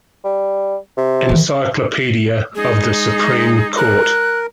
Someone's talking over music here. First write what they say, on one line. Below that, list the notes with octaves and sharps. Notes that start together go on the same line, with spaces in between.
Encyclopedia of the Supreme Court.
G3
C3
D#3 E3
G#3 D#4 G#4
A#4 F#6